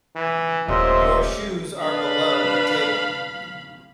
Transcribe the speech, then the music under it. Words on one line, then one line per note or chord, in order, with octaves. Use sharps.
Your shoes are below the table.
E3
D#1 A#2 A3 C#4 G4 C5 D#5 E5
D4 B4 F5 B5